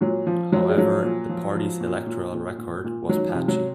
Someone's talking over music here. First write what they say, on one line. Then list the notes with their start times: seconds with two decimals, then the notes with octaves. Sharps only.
However, the party's electoral record was patchy.
0.01 A#2 F#3
0.27 F3
0.52 F3 F#3
0.69 G#3
0.78 F3 F#3
1.04 A#2
1.29 F3
1.55 F3
1.80 A#2
2.06 A#2
2.32 A#2
2.58 A#2
2.84 A#2
3.09 D#3 F#3
3.29 F3
3.35 C3
3.48 F#3